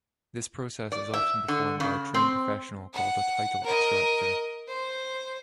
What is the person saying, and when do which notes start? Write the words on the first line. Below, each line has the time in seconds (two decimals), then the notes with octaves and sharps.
This process is often performed by a trained professional called a title abstractor.
0.92 D5
1.14 E5
1.48 D3
1.80 C#3
2.14 C4
2.94 F#5
3.63 A#4 D#5
4.68 C5